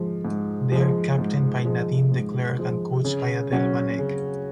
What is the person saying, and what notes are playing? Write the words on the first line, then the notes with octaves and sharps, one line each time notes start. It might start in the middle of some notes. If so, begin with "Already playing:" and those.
They are captained by Nadine de Klerk and coached by Adele van Eck.
Already playing: G#2 F3 G#3
G#2
F3 G#3
G#2
F3 G#3
G#2
F3 G#3
C#3
F#3 C#4 F#4 C#5
C#3